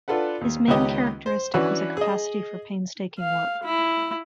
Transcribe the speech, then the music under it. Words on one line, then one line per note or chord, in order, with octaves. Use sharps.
His main characteristic was a capacity for painstaking work.
D4 F4 A4 B4 F#5
D#2
C#2 D#3 B3 C#4 G4 D#5
C5
E3 C#4 D4 F#4 B4 C#5
G#4 D#5
F5
E4